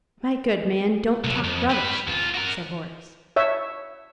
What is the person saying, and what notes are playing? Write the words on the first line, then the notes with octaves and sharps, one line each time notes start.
"My good man, don't talk rubbish!" said Horace.
C2 F#3
F2
G3 B4
E2 F4
F#4 A#4
C#5 E5